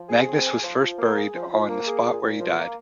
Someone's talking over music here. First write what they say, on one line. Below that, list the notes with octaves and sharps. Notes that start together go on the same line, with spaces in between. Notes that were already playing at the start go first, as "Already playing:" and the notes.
Magnus was first buried on the spot where he died.
Already playing: F3
G#4
C4
G#4
F3
F3
A#3
G#4
F3
F3
A#3
G#4
A#2
A#2
F3
A#3